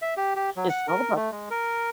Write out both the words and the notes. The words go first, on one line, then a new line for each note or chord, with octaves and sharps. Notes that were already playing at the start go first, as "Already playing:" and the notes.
It's all about
E5
G4
G4
F#3
F#5
A#4
A3
G#3
A#4